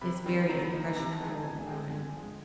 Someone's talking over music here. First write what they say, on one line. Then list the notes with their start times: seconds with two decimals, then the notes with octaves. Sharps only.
It's very impressionable on
0.01 C3 B5
0.26 D#3 G3 C4
0.49 F#3 A#5
0.65 B5
0.73 A#3 D#4
0.80 A#5
0.96 C3 A#5
1.11 A5
1.20 E3 G#3 C4 D#4 G#5
1.27 A5
1.43 E3 G#5
1.67 G#3 C4 G5
1.90 D3 G#5
2.13 F3 G#3